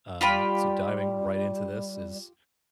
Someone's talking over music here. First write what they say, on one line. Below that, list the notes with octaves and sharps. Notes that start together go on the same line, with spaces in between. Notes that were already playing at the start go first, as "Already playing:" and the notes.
um, so diving right into this is,
G3 F4 G4 B5